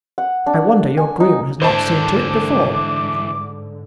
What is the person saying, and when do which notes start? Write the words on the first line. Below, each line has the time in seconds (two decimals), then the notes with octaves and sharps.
I wonder your groom has not seen to it before.
0.18 F#5
0.46 D4
0.97 G#5
1.20 D#4
1.62 G#2 D3 E3 D4 C5 A5 D6